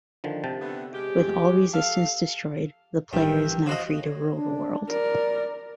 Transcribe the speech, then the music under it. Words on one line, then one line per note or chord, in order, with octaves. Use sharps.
With all resistance destroyed, the player is now free to rule the world.
D3 D#3 F3
C3 G5 A5
D3 A3 B3
G#3 G4
F2
A4 F5
A1 G2 E3 A#4 E5 G5
F3 F#4 D#5
C#5
D4
A#4 D5